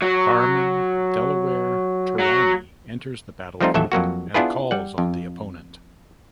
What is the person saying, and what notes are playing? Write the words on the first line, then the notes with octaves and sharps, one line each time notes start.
Barman Delaware Turani enters the battlefield and calls on the opponent.
F#3
F#3
F3 G3 A3 C4 D#4 F4
A1 D#2 E3 F#3 A4 E5
F2 F#3 A#3 F#4
B3 D4 E4 F4 G#4 B4
G3 F#5
F2